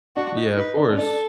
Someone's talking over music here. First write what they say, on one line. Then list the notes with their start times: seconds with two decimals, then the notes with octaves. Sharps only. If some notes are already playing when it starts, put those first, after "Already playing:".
Yeah, of course.
0.16 D4 F#4
0.36 D#4
0.57 D#4 B4
0.77 D4
0.93 C#4
0.97 D4 A4